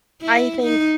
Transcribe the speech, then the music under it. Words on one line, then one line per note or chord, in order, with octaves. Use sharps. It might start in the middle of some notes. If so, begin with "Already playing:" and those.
I think,
E4
D#4